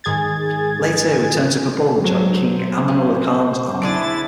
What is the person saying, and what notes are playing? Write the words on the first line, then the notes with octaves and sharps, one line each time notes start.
Later, he returned to Kabul and joined King Amanullah Khan's army.
G#2 D#3 G#4 G#6 A6
F#3 C5
C#3
D3 D4 E4 G#4 A6 D7